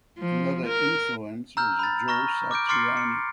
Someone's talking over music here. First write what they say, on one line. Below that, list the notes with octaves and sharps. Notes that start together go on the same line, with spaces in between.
Another influence was Joe Satriani.
F3
A#4
A#5 E6 F6 G6
B5 A6
A#5 C#6 F6 A#6
D6 F6 G6 D7
C6 D6 F6 A6 C7 C#7
C#7